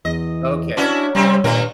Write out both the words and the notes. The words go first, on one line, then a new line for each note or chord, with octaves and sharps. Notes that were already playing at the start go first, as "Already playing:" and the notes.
Okay. Yep.
E2 D#5
C#4 D4 E4 F#4
C3 G3 C4 C#4
G2 A#2 D#3 A#4